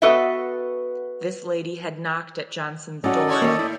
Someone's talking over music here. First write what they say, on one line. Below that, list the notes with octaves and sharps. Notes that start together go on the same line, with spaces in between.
This lady had knocked at Johnson's door.
B3 F#4 A4 B4 D#5 E5
F#3 C#4 F#4 A4 D5 D#5
D#4 E4 C#5
D#3 A#3 C#5
A2 E4